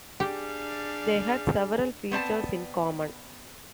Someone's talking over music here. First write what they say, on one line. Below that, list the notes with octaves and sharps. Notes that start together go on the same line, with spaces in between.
They had several features in common.
G3 D4 G4 G#4 F5
B3 C4 D5 A5